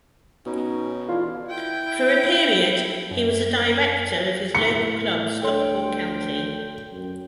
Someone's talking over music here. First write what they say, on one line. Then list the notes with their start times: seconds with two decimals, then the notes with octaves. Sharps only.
For a period he was a Director of his local club Stockport County.
0.46 B2 C#4 D#4
1.08 D3 E3 E4 F4
1.47 E4 G5
3.11 F#2
4.55 A2 C#7
5.43 D2 A4 C#5 G5 C6
6.92 F#2